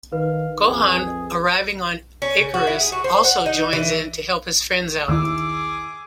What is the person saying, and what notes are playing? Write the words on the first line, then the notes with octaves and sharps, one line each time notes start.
Gohan, arriving on Icarus, also joins in to help his friends out.
D#3 B4 F5
F2 G#4
C#4
C#3
F#4
E4
G#4
F#4
C5
F#5
D#4
E3
D#2 D#3 E4 G#4 D6 E6